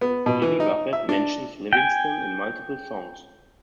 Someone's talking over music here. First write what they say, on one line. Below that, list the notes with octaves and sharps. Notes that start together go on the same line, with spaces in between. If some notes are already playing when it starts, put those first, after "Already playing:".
Jimmy Buffett mentions Livingston in multiple songs.
B3
B2
E3
D#4
E5
D4
G5 G#5